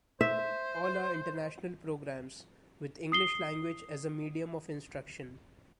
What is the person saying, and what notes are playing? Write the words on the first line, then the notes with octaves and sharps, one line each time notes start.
All are international programs, with English language as a medium of instruction.
C5 E5
D#6 C7 G7